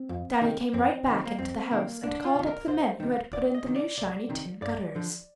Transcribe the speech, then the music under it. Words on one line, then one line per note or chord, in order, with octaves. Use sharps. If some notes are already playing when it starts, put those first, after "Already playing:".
Daddy came right back into the house and called up the men who had put in the new shiny tin gutters.
Already playing: C4
F2
C3 D#3
F2 C4
C3 D#3
A#3
F2 C4
C3 D#3 A#3
C2 D4
F4
C3 D#3
A#4
C2 C5
C3 D#3
C2 D5
D#5
C3 D#3
D5
C2 D5
C3 D#3
G2 D5
D3 F3